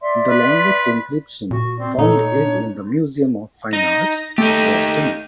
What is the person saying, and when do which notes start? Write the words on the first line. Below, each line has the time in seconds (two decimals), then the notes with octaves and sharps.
The longest inscription found is in the Museum of Fine Arts, Boston.
0.01 D5 E5 C6
0.27 B4
1.51 A#2 F#4
1.78 C4 D5
1.98 A#2 A3 D#4 C#5
2.35 D4
3.73 D#4 A#6
4.38 A3 D#4 G4